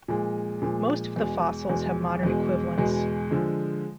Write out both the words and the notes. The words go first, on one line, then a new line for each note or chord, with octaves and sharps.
Most of the fossils have modern equivalents.
A#2 F3 G#3
A#2 F3 G#3
E2 B2 G#3
E2 B2 G#3
E2 B2 G#3
E2 B2 G#3
D3 F3 G#3